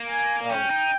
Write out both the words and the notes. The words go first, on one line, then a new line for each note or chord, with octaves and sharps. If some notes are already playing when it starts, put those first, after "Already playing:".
Oh, it
Already playing: A#3
G#5
C#4 G5
D#4